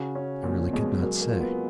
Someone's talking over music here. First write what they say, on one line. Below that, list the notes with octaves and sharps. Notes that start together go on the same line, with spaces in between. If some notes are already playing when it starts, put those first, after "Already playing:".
'I really could not say.
Already playing: C#3 F#4
C#4
F2 A#2
B2 G#3
F#3 A#3
A#3
F4
B3